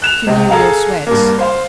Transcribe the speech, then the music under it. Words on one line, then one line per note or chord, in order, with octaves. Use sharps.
Funereal sweats.
F#6 E7 F7
C#2 C3
G#4 A4 F5 A#5
G2 A#3
C5 F5 C6